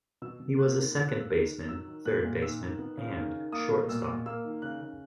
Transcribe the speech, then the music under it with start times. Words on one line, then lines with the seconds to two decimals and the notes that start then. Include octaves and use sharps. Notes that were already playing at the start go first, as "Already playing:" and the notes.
He was a second baseman, third baseman and shortstop.
0.22 B2 E6
0.40 B2
0.59 A#3 F#6
0.76 D#3
0.95 B2 E6
1.07 F#6
1.14 A#3
1.20 E6
1.32 D#3
1.50 D#3
1.69 F#3 E6
1.87 D#3
2.05 A#2 F#6
2.24 A#2
2.42 D#3 E6
2.61 D#3
2.79 B3
2.97 C#3
3.15 D#3
3.34 D#3
3.52 A#3 D#6
3.71 B2
3.89 A#2 E6
4.08 A#2
4.26 A#3 E6
4.44 D#3
4.62 C#3 F#6
4.81 C#3